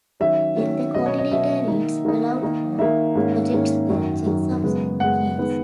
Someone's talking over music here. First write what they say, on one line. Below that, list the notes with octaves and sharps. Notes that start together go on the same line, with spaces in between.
Then the coordinator reads aloud or projects the checksums of the keys.
D#3 F#3 C#4 E5
D#3 F#3 C#4
B2 F#3 C#4 D#5
C#5
D#5
B2 F#3 C#4 E5
D#3 A#3 D#4
D#3 A#3 D#4
D#3 A#3 D#4
D#3 A#3 D#4 E5
G#2 D#3 A#3 C#4
G#2 D#3 A#3 C#4
F#2 D#3 F#3
F#2 D#3 F#3
F#2 C#3 G#3 B3
F#2 C#3 G#3 B3 F#5
D#3 G#3 B3